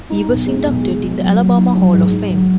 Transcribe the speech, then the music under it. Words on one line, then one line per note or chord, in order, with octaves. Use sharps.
He was inducted in the Alabama Hall of Fame.
D#4
B1
G#3
B1
G#3
B2
F#3
F#3
D#4
F#3
G#2
D#4
F#3